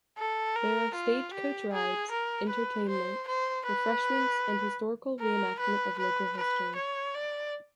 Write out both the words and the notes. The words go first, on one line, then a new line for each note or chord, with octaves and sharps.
There are stage coach rides, entertainment, refreshments and historical reenactment of local history.
A4
A#4
F4
G4
G#4
A#4
B4
C5
C5
B4
A#4
B4
B4
B4
C#5
D5